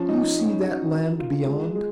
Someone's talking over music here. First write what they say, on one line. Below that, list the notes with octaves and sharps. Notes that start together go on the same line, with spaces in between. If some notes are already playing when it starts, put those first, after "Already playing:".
Do you see that land beyond?'
Already playing: F3 C#4
D#4
C#4
F#4
D#3
F4
G#3
G#3